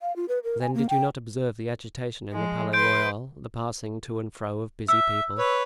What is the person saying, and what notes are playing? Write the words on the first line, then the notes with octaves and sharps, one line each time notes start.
Then did you not observe the agitation in the Palais Royal, the passing to and fro of busy people?
F5
F4
B4
A#4
G#5
A#3
G5
F3 G#3
B4 C6 G6 D7
E5 E6
B4 C#5